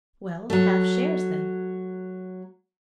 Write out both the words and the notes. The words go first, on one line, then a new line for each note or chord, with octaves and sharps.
"Well, half shares then."
F#3 A3